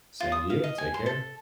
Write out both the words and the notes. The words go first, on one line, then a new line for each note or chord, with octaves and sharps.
Same to you, take care.
F4
D#6
F5
D#5
G#5
C6
A4